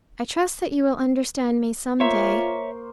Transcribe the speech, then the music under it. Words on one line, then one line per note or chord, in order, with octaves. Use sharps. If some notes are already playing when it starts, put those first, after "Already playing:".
I trust that you will understand me some day.
A#3 F4 C5 C#5 E5 C#6